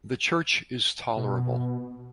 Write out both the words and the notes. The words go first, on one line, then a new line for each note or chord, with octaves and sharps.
The church is tolerable.
B2